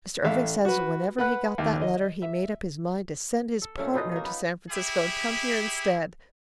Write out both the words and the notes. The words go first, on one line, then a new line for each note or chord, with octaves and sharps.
Mr. Irving says whenever he got that letter he made up his mind to send his partner to San Francisco and come here instead.
A1 E5 F5
F#4 B4
B4 F#5 F#6
D#2
D#5
E5
A4
A#2 A3 C#4
B2 D#4 F4 D#5
A#3 D#4
B3 B4
E4 G4 G#4